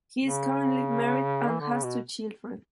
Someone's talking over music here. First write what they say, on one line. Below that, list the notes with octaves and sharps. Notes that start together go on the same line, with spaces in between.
He is currently married and has two children.
C#3
E3
D3
C#3
B2